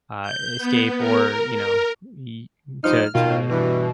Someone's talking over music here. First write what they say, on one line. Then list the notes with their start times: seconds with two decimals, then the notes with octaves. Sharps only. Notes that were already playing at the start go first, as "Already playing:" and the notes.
uh, escape or, you know, y m to to
0.23 G6
0.58 B3
0.99 A#4
1.54 A#4
2.84 G2 F3 D#4 F6
3.15 B2 D#3 F4
3.50 G2 E3